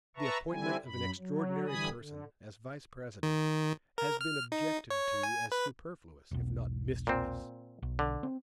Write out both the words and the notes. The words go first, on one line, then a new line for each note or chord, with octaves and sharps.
The appointment of an extraordinary person, as Vice-President, has been objected to as superfluous, if not mischievous.
B4 E5 A5 A#5 C#6
D3 G3 C4 E4 G#5
F#2 B5
F#3
D3 E3 G3 G#5 B5 D#6
D3
D#3
A#4
F6
D#4
C#5
G#5
B4
E1 B1
A#2 C4
B1
D3
C4